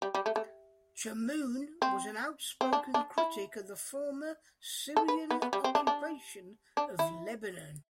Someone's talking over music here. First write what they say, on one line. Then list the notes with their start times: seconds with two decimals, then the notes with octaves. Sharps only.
Chamoun was an outspoken critic of the former Syrian occupation of Lebanon.
0.02 G3
0.14 G3
0.26 A3
0.36 A3
1.82 C4
2.61 C4
2.73 D4
2.94 D4
3.18 E4
4.97 A4
5.08 B4
5.31 B3
5.42 B3
5.53 G3
5.64 C4
5.75 D4
5.87 D4
6.77 D4
6.99 E4